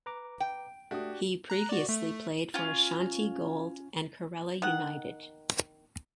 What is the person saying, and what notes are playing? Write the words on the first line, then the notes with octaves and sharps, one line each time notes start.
He previously played for Ashanti Gold and Karela United.
B4 A#5 D6
G5
A3 D4 F#4 G4 D#6
A#5 F#6
F#4 D5
A3
C#4 F4
D#3 F#5